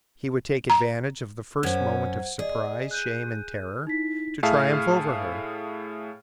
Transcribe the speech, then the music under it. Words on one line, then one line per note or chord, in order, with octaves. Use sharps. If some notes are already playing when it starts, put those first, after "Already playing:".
He would take advantage of the first moment of surprise, shame, and terror, to triumph over her.
A#5
F#2 C#4 C5 F#5 G#6
G#4 D5 D#5
F#6 G6 D#7
D#4 E4 B6
A2 G#4 E5 F5 A5 F6